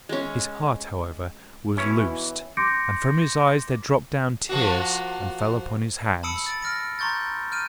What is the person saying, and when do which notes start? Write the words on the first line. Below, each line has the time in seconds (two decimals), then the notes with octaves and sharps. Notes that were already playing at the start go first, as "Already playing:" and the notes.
His heart, however, was loosed, and from his eyes there dropped down tears and fell upon his hands.
0.09 G#3 C#4
1.77 B2 E3 C#4 E4 C#5
2.57 C6 D6 G6 A#6 C#7 D7
4.49 F3 A#3 F#4
6.23 A5 B5 D#6 E6 C#7 D7
6.46 A6 D7
6.62 F6 A#6 D7
6.99 A#5 C6 C#6 G6 A6
7.52 F6 G6 D7 D#7